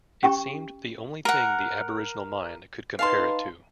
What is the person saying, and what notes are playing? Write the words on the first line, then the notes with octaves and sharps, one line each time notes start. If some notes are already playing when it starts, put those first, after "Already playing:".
It seemed the only thing the aboriginal mind could compare it to.
C#4 G4 G5 A#5 C#6
A#4 F#5
D#4 B4 F5 A5 C6